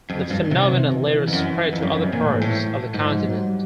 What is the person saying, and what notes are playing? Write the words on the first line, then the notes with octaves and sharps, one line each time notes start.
The phenomenon later spread to other parts of the contintent.
F2 F#3
F3
G2
D#3
C3 D#3
E3
E3
F2
F#2
F2
F#2
F2
F#2
A#2 E3
A2
G#2
A2
G#2 F3
F#3
G3